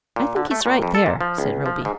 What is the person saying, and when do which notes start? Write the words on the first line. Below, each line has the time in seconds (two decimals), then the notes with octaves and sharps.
"I think he's right there," said Roby.
0.16 A#2
0.36 D3
0.51 A3
0.66 A#2
0.82 F2
0.95 A4
1.06 A#2
1.21 F3
1.38 C#2
1.66 F3
1.85 G#2